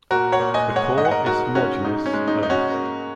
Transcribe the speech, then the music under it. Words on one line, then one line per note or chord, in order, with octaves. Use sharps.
The core is homogeneous, earth.
A#2 F#4 A#4
C#5 F#5
A#2
D#5 G#5
G#3
C#5 F#5
G#2 D#5
F#5
A#4 D#5
G#2 F#4 A#4
G#2 C#4 F#4
G#2 D#4
C#4
G#3
D#4
G#2 D#4
C#4 F#4
A#3